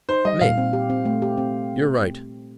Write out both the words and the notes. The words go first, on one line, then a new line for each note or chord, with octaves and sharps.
ME: You're right.
D#4 C5
G3 D#5
A#2 F5
C4
G4
C4
A3
G4
C4